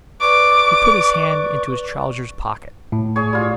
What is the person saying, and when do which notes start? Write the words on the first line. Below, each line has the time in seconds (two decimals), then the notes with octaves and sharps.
He put his hand into his trousers' pocket.
0.21 B4 D5 C#6 D6
2.92 A2
3.16 G#4 C#5
3.33 G3 F4